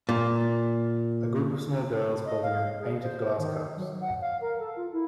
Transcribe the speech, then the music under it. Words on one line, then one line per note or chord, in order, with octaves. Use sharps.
A group of small girls holding up painted glass cups.
A#2
D#5
F5
G#4
C5
D#3
F#3
F#5
F5
A#4
A4
F4
E4